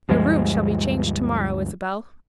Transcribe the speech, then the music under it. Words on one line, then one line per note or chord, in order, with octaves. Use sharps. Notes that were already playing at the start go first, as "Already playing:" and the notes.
"Your rooms shall be changed to-morrow, Isabel."
D2 G2 F3 G#3